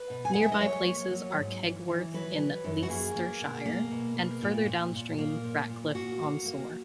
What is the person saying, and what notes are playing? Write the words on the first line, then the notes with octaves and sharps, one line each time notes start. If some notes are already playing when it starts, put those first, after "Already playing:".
Nearby places are Kegworth in Leicestershire and, further downstream, Ratcliffe on Soar.
Already playing: B4
B2
G#5
G#3 F#5
E5
D#5
F#3 C#5
A#3
F#3
G#2
E3
E3
F#3 B4
F#3
F#2
F#4
A#3 G#4
A#3
B2
A#3
B2
A#3
A#2
A#2
A#2
A#3
A#2
A#2
A#3 F#4
A#3
A#3